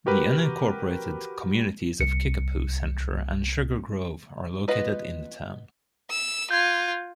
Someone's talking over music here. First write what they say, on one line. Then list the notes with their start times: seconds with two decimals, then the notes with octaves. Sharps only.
The unincorporated communities of Kickapoo Center and Sugar Grove are located in the town.
0.06 F#4 G4 A#4 B4
2.00 C2 C#7
4.68 B3 F4 B4 D#5
6.10 E6
6.51 F4 G6 G#6